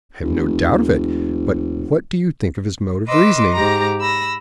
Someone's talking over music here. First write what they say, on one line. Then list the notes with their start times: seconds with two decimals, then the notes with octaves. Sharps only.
"I have no doubt of it; but what do you think of his mode of reasoning?"
0.23 F1 D#2
3.07 B4 D#5 C6 D6 E6
3.53 G#2 G4 A#5 A#6
4.00 B5 E6 A#6